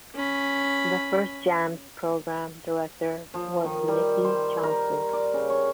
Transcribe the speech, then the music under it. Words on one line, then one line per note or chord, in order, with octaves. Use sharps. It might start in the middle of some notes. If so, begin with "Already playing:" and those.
The first Jamz program director was Mickey Johnson.
C#4 B5
F3
D#3
G3
C5
A#4
D5
C#3
C#5